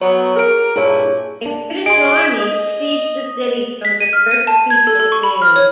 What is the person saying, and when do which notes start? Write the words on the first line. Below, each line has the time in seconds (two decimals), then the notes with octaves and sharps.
A British army besieged the city from the first week in June.
0.02 F#3 B3 C#5
0.35 G#4 A#4 D7
0.76 G2 A#2 E4 G#4 C#5
1.46 D4
1.86 G#4 D#5 C6 D7
2.40 D#5
3.85 B6
4.00 D#7
4.13 F6
4.31 D#7
4.47 A5
4.70 G#6
4.87 A4
5.00 A4
5.12 C#6
5.23 B5
5.42 F6
5.56 C#5